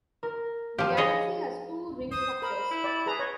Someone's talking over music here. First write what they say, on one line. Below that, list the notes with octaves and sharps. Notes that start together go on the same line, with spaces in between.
The galaxy has two ring structures.
A#4
F3 G4 F5
G#4 C#5 D#5
C5 D#6
A#4 B5
E4
D5
G#4 B4 A#5
C#5 D#5